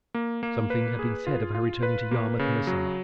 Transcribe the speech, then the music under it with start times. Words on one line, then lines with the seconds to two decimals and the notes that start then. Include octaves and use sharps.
Something had been said of her returning to Yarmouth in the summer.
0.14 A#3
0.43 A#3
0.70 B4
0.99 G#4
1.27 F4
1.55 F4
1.83 B4
2.11 A#3
2.39 C#3
2.67 F#3